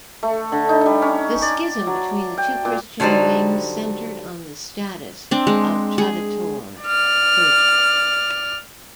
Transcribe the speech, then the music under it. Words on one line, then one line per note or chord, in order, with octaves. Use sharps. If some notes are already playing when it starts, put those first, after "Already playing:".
The schism between the two Christian wings centered on the status of traditore clergy.
A3
D3
D#4
G3
C#4
D5
F#3
G5
A#2
D3 F#3 G3 D#4 C5
C4 D4
G#3
G#4
D5 F6